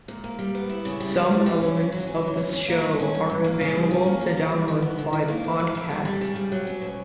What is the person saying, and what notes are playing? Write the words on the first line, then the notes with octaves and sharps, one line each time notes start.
Some elements of the show are available to download by podcast.
A#2
A#3
G3
B3
E4
C#3
G3
E3
G3
E3
C#4
G2
F#3
C#4
F#3
C#4
C#4
A#3
G2
C#4
G2
G2
A#3
C#3
G3
C#4
A#3
A#3
C#3
G3
E3
B3
E3
E3
A#3
D2
A#3
D3
G3
G3
C#3
G3
F#3
C#4
B2